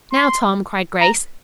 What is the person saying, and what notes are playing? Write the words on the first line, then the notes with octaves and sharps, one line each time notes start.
"Now, Tom," cried Grace.
C6
A#5